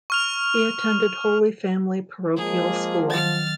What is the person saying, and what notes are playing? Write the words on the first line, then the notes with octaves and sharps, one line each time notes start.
He attended Holy Family Parochial School.
C#6 F6 F7
F3 G#3 A#3 G#4
D#3 F#3 F6 A6